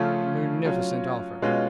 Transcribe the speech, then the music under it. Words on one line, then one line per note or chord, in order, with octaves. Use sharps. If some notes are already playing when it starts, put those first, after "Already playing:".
"A munificent offer."
Already playing: C#3 F3 A3 C#4 F4
F#3 C#4 F4
B2 G#3 C#4 F4